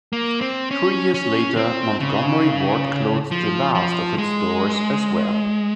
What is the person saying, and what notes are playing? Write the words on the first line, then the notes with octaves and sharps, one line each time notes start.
Three years later, Montgomery Ward closed the last of its stores as well.
A#3
C4
C#4
C#4
C4
C#3
F3
F3
G#3